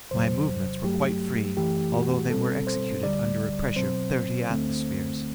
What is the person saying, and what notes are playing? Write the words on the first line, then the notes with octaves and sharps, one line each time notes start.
My movements were quite free, although they were executed under a pressure of thirty atmospheres.
E2 C3 F#3 C5
G2 F#3 A3 G4
F#2 E3 A3 G4
F#4
B2 G3 C4 A4
C5
D2 D3 G3 D5
B2 F#3 C4 C5
D2 D3 A3 C4